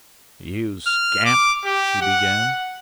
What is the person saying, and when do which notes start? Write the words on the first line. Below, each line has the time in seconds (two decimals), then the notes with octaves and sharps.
"You scamp--!" she began.
0.86 F6
1.26 D6
1.65 G4
2.02 F#5